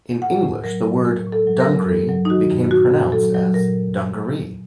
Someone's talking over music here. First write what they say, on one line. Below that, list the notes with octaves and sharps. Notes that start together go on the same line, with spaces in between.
In English, the word "dungri" became pronounced as "dungaree".
A2 F#5
A2
F#3 A#4
F#3
A2 A#4
A2
A4
F#3
A#4
F#3
G2 A4
F#3
D#4
D#3 F#4
G2
A#2 F#4
A#2
F#3 A4
F#3
A#2 A#4